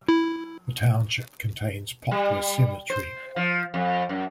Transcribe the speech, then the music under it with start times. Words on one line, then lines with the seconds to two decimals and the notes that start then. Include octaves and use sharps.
The township contains Poplar Cemetery.
0.08 E4
2.11 G3
2.90 C5
3.36 F3
3.74 F2
4.09 F#2